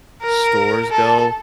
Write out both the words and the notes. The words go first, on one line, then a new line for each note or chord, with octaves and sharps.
stores go,
A#4
A4